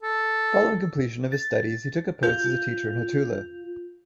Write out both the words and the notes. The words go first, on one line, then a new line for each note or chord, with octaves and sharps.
Following completion of his studies he took a post as a teacher in Hattula.
A4
A6
F4 G6